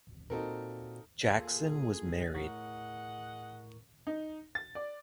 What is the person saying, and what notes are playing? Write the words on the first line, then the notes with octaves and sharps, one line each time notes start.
Jackson was married.
A#2 C4 D#4 F#4 A4 A#4
A#3 F4 G#4 A4
A2 G#4 A#4 D#5 F#5 C#6
D#4
A6
D5